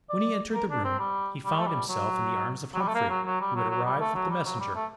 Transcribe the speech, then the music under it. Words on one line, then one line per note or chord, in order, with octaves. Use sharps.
When he entered the room, he found himself in the arms of Humphrey, who had arrived with the messenger.
D5
A#4
D4
C4
G3
G3
A3
G3
F#3
F#3
G3
A3
A#3
F#3
F#3
G3
F#3
F#3
G3
A3
F#3
G3
F#3
G3
A3